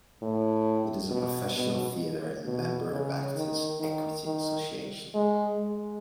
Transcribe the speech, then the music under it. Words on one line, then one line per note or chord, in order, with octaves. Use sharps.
It is a professional theatre and member of Actors' Equity Association.
A2
B2
B2
B2
C#3
D#3
D#3
D#3
G#3
G#3